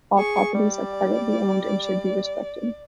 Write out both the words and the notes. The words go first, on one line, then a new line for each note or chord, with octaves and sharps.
All properties are privately owned and should be respected.
G#4 C#6
G3 D5